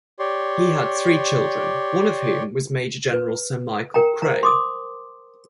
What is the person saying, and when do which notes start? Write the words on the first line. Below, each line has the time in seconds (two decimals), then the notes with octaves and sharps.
He had three children, one of whom was Major General Sir Michael Creagh.
0.19 G4 C#5 D5 C6
3.13 B4
3.94 A#4 G5 A#5
4.22 C5 A#5
4.43 C6 D6 D#6